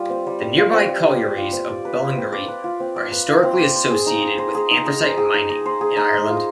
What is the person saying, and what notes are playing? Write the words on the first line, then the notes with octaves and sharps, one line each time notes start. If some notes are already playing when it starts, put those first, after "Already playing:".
The nearby collieries of Ballingarry are historically associated with anthracite mining in Ireland.
Already playing: G3 F4
C4
G3
G3
F4
C4
G3
G3
B4
F4
C4
D5
B4
F4
C4
D5
B4
F4
C4
D5
B4
F4
C4
D5
C5
G#4
D#4
D#5
C5
G#4
D#4
D#5
C5
G#4
D#4
D#5
C5
G#4
D#4
D#5
F4